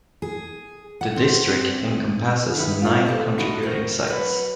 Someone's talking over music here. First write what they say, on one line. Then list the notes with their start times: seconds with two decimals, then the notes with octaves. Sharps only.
The district encompasses nine contributing sites.
0.22 G#4
1.01 F#5
1.16 C4
2.55 D#3 B3 E4
2.82 A#2 F4
3.06 G4 A4 C5
3.38 D3 D#4 E4 F#4
3.62 F#4 A#4 C5
4.08 F#3 B4